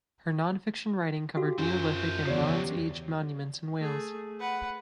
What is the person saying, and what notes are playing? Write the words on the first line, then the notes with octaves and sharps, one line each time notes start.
Her non fiction writing covered Neolithic and Bronze Age monuments in Wales.
F#4 G4 A4 F5
F#2 F#3 C#4 F4 C5 G#5
E2 C#3 F#4 C#5 D5 C7
G4
A3 G#4
B4 F#5